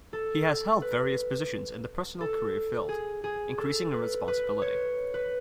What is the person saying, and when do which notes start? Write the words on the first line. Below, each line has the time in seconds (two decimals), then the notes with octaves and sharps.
He has held various positions in the personnel career field, increasing in responsibility.
0.13 A4
0.82 B4
2.21 A4
2.89 G#4
3.24 G#4
3.58 A4
3.93 B4
4.28 B4
4.62 C#5
5.14 B4